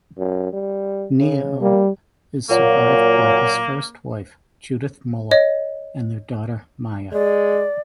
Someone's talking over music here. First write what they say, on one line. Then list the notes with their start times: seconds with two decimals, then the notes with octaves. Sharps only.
Neon is survived by his first wife, Judith Muller and their daughter Maya.
0.18 F#2
0.53 G3
1.19 C#3
1.62 G3 A#3
2.49 A#2 F#3 A#3
5.31 C#5 D#5
7.13 G#3 D5